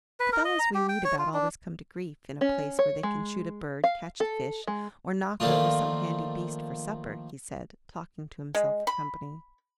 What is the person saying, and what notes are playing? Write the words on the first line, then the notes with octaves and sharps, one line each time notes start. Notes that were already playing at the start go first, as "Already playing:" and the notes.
"The fellows we read about always come to grief in a place where they can shoot a bird, catch a fish, or knock over some handy beast for supper," he said, talking to himself for company.
B4
A#4
D#5
A#5
G4
G5
C#5
F4
D4
C#4
C#5
G#3
F5
A4
G#3
D#3 F3 A3 A#3 D4 F4
G#3
B5